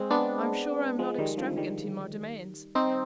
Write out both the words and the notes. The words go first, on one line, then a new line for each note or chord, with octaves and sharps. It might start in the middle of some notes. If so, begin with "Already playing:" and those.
I am sure I am not extravagant in my demands.
Already playing: G#3 C4
B3 D4
F3 G#3
D#3 G3
D3 F3
D#3 G3
C4 D#4